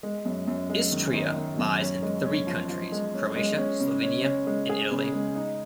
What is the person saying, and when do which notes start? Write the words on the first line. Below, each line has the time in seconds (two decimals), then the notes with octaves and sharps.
Istria lies in three countries: Croatia, Slovenia and Italy.
0.03 G#3
0.25 F#2
0.47 F#2
0.70 G#3
0.92 D#3
1.14 D#3
1.36 D#3
1.59 F#2
1.81 C#4
2.02 G#3
2.25 C#4
2.47 F3
2.69 F3
2.92 G#3
3.14 C#4
3.36 G#3
3.58 C#4
3.80 C#3
4.03 C#4
4.24 C#4
4.47 G#3
4.69 G#4
4.91 C#3
5.13 G#3
5.35 D#4